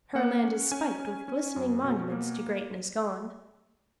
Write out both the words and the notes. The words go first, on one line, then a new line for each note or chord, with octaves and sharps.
Her land is spiked with glistening monuments to greatness gone.
A#3 F#5
C#4
C#4 G#5
C#4
C#4
F#2
B2
A#3